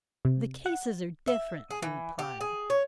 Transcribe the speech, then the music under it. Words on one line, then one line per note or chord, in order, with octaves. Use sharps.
'The cases are different,' he replied.
C3
F#5
E5
G#4
E3
G4
G#4
C#5